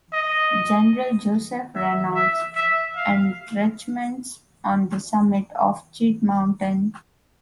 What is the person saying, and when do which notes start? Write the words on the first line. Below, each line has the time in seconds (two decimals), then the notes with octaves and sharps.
General Joseph Reynolds's entrenchments on the summit of Cheat Mountain.
0.13 D#5
1.75 E5
2.15 E5
2.55 E5
2.96 F5